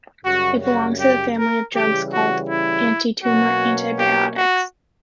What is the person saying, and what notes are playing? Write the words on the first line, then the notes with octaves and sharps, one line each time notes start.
It belongs to the family of drugs called antitumor antibiotics.
F#2 C#3 G3 F#4
F#4
G4
A#4
C#3 E3 G3 G4
F#4
E4
B2 F#3 A#3 C#4 F#4
G4
F#4